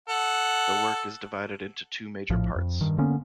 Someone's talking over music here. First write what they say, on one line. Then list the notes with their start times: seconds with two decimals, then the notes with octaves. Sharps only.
The work is divided into two major parts.
0.09 A4 F#5
2.30 A#1 A2 F3
2.56 F2
2.81 G2 D#3
2.98 D3 A#3 B3 C#4